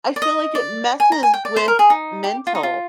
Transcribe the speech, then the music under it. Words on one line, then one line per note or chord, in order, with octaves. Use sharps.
I feel like it messes with mental,
D5
D#5
D5
G#5
A#5
G#5
G5
D5
C5
A#4
G#4
D#4
G4
F4
D#4
F4